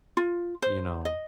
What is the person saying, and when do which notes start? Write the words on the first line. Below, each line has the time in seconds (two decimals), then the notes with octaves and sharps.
you know,
0.17 F4
0.62 C5
1.05 D#5